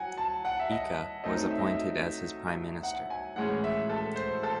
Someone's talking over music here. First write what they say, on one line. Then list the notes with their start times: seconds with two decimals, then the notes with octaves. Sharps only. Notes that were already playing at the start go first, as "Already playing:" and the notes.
Ika was appointed as his prime minister.
Already playing: F#3 F#5 G#5
0.18 A5
0.45 F#5
0.59 E5
0.71 D#5
1.24 F#3 A3 C4 D#4 D#5
1.51 E5
1.59 D#5
1.66 E5
2.83 F#5
3.10 G#5
3.36 A2 E3 G#3 C#4 F#5
3.64 E5
3.89 A4
4.16 C5
4.43 A4